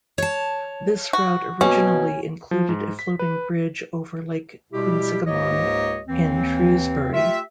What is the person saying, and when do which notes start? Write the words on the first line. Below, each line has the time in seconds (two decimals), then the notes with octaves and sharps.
This route originally included a floating bridge over Lake Quinsigamond in Shrewsbury.
0.18 C#5 A5
1.13 F#4
1.61 B2 A#3 C#4
2.51 F3
2.69 G#2
2.99 B6
3.19 B4
4.72 B2 G3 E4 G4
5.26 C#2 G#2 A#3 G4 C#5 D#5
6.08 D#2 E3 C4
7.13 A3 F4 G4 E5